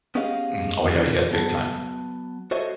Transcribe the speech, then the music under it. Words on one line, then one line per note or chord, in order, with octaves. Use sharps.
Mh oh, yeah yeah, big time.
B3 C#4 G4 G#4 D#5 F5
E3 D4 F4
F#3 B3 A5
F#4 A4 C5 C#5 D#5 E5